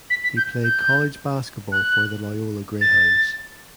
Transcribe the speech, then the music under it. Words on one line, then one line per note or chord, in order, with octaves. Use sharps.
He played college basketball for the Loyola Greyhounds.
B6
B6
G6
G6
F#6
A6